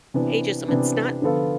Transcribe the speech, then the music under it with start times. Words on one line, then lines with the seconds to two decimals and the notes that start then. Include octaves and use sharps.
ageism it's not
0.14 C3 E3 B3 D4
0.68 C3 E3 B3 D4
1.22 D3 F3 B3 F4 A4